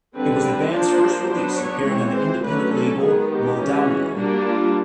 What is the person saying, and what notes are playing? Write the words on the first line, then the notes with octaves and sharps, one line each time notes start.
It was the band's first release, appearing on the independent label Mo-Da-Mu.
D3 G3 C4 B4
F3 A#3 D4 C5
F#3 B3 D4
C#5
E3 G#3 C4
C5
D3 F#3 A3 C#4 B4
A4
D#3 G#3 B3 G#4
G4
E3 G#3 C#4
F#4
G3 A#3 D4
F4